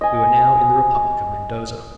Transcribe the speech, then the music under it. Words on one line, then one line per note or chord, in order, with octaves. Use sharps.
We were now in the republic of Mendoza.
D#5 G#5